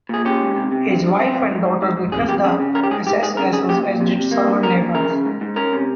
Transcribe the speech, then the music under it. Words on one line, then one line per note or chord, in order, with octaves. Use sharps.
His wife and daughter witnessed the assassination as did several neighbors.
A#2 G#4
C#4 G4
G#2
C3
C3
G2
G2
C4
F2
G#2
G#2
G#2
G#2
F2 G#4
F2 G4
C#3 G#4
C#3
C#4 A#4
G4
G#2 G#4
G#2 G4
G#2 G#4
C#3 A#4
C#3 G#4
A#2 G4
A#2
C3
C3
A#3
G2
C#4 A#4
A#2
C#3 A#4
C#3
G#2
G#2
C#4 A#4
C3